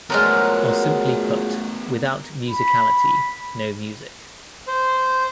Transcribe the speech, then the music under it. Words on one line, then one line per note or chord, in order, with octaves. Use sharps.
Or simply put: without musicality no music.
F3 F#3 G#3 A3 B3 A#4
B5
C5